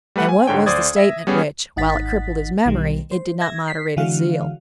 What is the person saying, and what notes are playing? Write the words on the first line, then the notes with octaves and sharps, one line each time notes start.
And what was the statement which, while it crippled his memory, it did not moderate his zeal?
G3 A3 B4 F#5
G#5
G#2 D3 C#5 G5
D2 C5 D5 D#6 G#6
E5 A#6
G3 B3 C#4 G#4
G#1 D#4 F#5 A6 B6
B1 B2 D#3 G3
C5
E5 G#6 A#6
B6 C7
D3 E3 G#3 F#4 F5